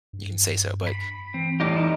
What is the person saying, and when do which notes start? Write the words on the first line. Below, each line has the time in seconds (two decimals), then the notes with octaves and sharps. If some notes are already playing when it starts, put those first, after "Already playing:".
you can say so, but
0.13 G2
0.87 B5
1.34 E3 C4
1.60 E2 A2 G3 G4 D#5 D6
1.76 D#4 E4 G4